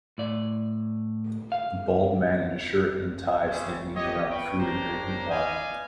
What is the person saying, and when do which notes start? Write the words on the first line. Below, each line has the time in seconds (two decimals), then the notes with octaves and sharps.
Bald man in a shirt an tie standing around food and drinking wine.
0.18 A2 D5
1.52 F5
3.47 G3 C#4 G#4 C5 E5 C#6
3.95 G4 C#5 D#5
4.30 B4 G5 C#6
4.59 D4 G4 A#4 C5 C#5 A#5
5.29 B4 D5 D#5 F5 G#5